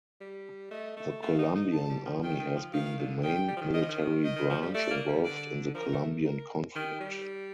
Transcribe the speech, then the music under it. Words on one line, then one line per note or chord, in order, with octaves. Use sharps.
The Colombian Army has been the main military branch involved in the Colombian conflict.
G3
A3 D#5
A3
A3 F5
D#4
D#4
A5
G3
F3
D#3 G5
D#3
F3
D#3 F5
D3
D#3 G5
G3
F3
D#3
D#3 D#5
F3
D#3
D#3 D#5
D#3
F3
G3
A3 D5
A#3
G3
D3 D5
F3 A#4
A3
A#4
D#3 G4
G3